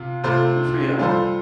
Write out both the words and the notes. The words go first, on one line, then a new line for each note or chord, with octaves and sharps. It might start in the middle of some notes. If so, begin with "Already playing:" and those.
Good for you.
Already playing: C3 F4
C3 A3 F4 C5
G3 F4 A4 C5